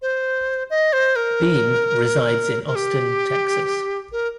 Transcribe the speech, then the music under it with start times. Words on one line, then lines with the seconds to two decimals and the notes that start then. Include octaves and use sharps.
Beem resides in Austin, Texas.
0.02 C5
0.70 D#5
0.93 C5
1.16 A#4
2.67 A#4
2.75 G4
4.12 A#4